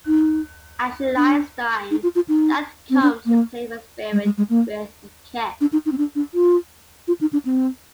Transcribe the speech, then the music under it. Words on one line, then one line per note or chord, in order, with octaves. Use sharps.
As she lies dying, Death comes to claim her spirit with a kiss.
D#4
D4
D#4
F4
F4
D#4
C4
D4
A#3
G#3
G#3
G#3
A#3
D4
D#4
D#4
C4
D4
D4
F4
F4
D#4
D4
C4